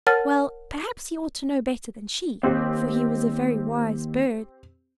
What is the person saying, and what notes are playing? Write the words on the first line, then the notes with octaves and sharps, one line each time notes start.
Well, perhaps he ought to know better than she, for he was a very wise bird.
A#4 C#5 F#5 A5 F6 A6
D#2 C4 G4